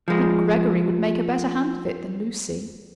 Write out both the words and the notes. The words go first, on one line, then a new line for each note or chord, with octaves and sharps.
"I think Gregory would make a better hand of it than Lucy."
F3 G#3